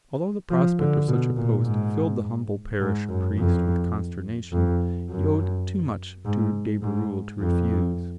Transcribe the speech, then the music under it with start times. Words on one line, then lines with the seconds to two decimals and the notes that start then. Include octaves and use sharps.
Although the prospect of such a post filled the humble parish priest with consternation, he owed too much to de Berulle to refuse.
0.50 F3
0.79 D3
1.08 B2
1.36 A#2
1.65 G#2
2.80 G#2
3.09 F#2
3.38 F2
4.52 F2
5.10 F#2
6.25 G#2
6.82 G#2
7.40 F2